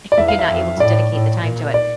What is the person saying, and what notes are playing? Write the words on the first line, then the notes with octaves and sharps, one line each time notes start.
if if you're not able to dedicate the time to it?
D5
E2 E5
F5
E5
F2
A2 D5
A2
A#2
D5